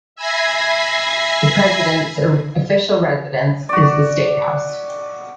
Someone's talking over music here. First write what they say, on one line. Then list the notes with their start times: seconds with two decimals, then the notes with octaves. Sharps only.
The President's official residence is the State House.
0.16 E5 G#5 B5 G#6 A#6 C7
3.69 F#4 D5